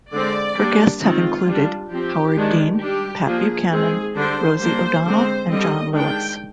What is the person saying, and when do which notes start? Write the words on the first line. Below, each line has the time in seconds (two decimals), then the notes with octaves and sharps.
Her guests have included Howard Dean, Pat Buchanan, Rosie O'Donnell and John Lewis.
0.12 D3 G#3 C4 D5
0.56 G3 A#3 D4
1.01 D#3 G#3 C4 F4
1.46 G3 D4
1.91 F3 C4 G4
2.36 D#3 G#3 D4
2.81 G3 D4 G4
3.25 F3 A#3 D4 G#4
3.71 D#3 G#3 C4 G#4
4.15 D3 G3 D4 C5
4.60 G3 A#3 D4 C5
5.04 D3 G#3 C4 C5
5.49 D3 G3 C4 D#5
5.94 D#3 G#3 D4 G5